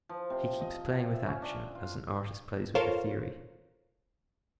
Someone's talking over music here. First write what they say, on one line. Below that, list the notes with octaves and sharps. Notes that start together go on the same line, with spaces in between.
He keeps playing with action as an artist plays with a theory.
F3
C3
D#5
E5
C#4
D4
F4
F4 A4 A#4 C5 C#5 F5